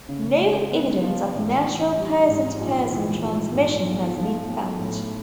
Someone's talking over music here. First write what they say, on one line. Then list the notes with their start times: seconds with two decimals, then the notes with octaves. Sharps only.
No evidence of natural person-to-person transmission has been found.
0.09 C#3
0.40 G#3
0.71 B3
1.02 F3
1.35 A1
1.65 E3
1.97 G3
2.28 G#2
2.60 A#1
2.92 E3
3.22 A#1
3.54 G#2
3.85 B1
4.17 F3
4.48 B1
4.79 A2